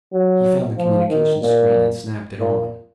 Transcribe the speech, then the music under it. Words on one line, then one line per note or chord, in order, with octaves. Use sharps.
He found the communications screen and snapped it on.
F#3
F3
D#3
A#2
A#2